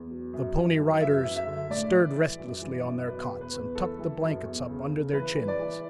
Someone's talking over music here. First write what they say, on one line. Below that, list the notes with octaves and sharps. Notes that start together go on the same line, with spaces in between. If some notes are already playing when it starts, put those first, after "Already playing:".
The Pony Riders stirred restlessly on their cots and tucked the blankets up under their chins.
Already playing: E2
F#3
F#2
F#2
E3
F#2 E5
F#2
E5
D3
A2 D5
E3
E3
F#2
E3
F#2
B2 B4
E2
B4
E2
E3 A4
E3
F#2
E2
C#3
C#3
E3 B4
E3
D5
E3